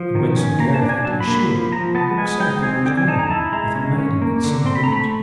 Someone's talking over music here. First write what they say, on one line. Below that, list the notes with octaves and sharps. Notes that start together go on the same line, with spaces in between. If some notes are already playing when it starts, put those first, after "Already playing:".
And when Sir Gareth had his shield, the book saith it was green, with a maiden that seemed in it.
Already playing: F3
D#3
C#4
A#3 A#5
A5
D4
G#5
F#3 A5
B5
A#3
B5
F3 B5
F3 A#5
B3 A5
G#3 G#5
D#4 G5
C4 G#5
D3 G5
G#5
D#4 A5
A#5
E4 A5
G#3 A#5
C#4
C#4
A#3
D3
C4 C6
B5
A#5
A3 B5